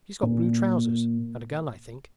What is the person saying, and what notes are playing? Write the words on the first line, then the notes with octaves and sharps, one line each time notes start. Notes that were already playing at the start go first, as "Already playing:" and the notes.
He's got blue trousers, and a gun I think....
A#2